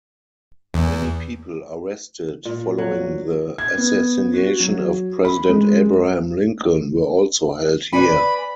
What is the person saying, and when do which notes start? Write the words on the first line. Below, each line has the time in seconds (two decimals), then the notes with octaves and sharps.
Many people arrested following the assassination of President Abraham Lincoln were also held here.
0.74 E2
2.45 A#2
2.78 F#3
3.58 G#6
3.78 B3
4.34 F#4
4.60 F#3
5.25 B5
5.49 G#3
7.93 B4 D5 G#5 B5